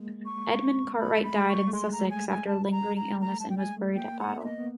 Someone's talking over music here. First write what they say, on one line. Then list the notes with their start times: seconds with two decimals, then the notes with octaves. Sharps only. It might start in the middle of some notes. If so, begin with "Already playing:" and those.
Edmund Cartwright died in Sussex after a lingering illness and was buried at Battle.
Already playing: G#3 A#3
0.25 C#6
0.99 A3 B5
1.18 G#3
1.24 B5
1.36 G#3
1.49 C#6
1.55 G3
1.67 A3
1.73 G#3 C6
1.92 A#5
2.10 G#5
2.29 G#5
2.47 A5
2.64 B5
2.72 A#5
2.97 A#5
3.21 A3 A#5
3.40 G3 A5
3.50 G5
3.58 G#3 G#5
3.76 A3
3.95 A#3 G5
4.20 F#5
4.33 B3
4.40 E5
4.45 A#3 D#5
4.58 B3